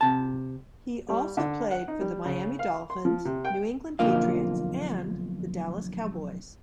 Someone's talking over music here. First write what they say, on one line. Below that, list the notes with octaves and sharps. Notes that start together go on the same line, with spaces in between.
He also played for the Miami Dolphins, New England Patriots and the Dallas Cowboys.
C3 A5
G3
D3
F#5
D#4
G3
C#3
F5
C6
F3
C3
G5
B1 F2 D3 A#3 F4 F5